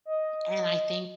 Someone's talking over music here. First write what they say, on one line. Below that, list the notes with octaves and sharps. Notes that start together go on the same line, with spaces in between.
and I think
D#5